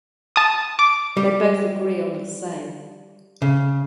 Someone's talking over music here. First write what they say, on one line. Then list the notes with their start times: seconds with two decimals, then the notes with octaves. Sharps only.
They both agree on the same.
0.36 A5 D#6
0.79 D6
1.17 G3
3.42 C#3